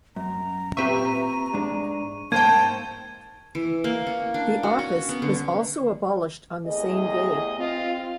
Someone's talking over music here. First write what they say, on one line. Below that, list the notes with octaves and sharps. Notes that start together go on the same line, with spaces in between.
The office was also abolished on the same day.
F#2 A#5
A#2 C4 G4 B4 E5 C#6 D#7
G#2 G#3 D4
C2 G#2 A#3 C5 G5 A5 G#6 D#7
E3
A#3
C#4
D4
F#4
C#4
B3
D3
E2 A2 C3 G#4 D#5
C4 F4